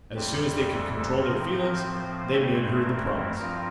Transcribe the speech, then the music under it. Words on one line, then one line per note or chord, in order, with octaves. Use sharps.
As soon as they could control their feelings they made her the promise.
F2 E3 G3 G4
A4
A2 F3 C4 A#4
C5
G2 E3 A3 C4 E4
A#4
G2 F3 C4 F4